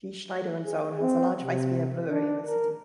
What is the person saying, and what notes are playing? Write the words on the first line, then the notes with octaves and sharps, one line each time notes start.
G. Schneider and Sohn has a large weissbier brewery in the city.
G#4
C4
C3
D4
A#4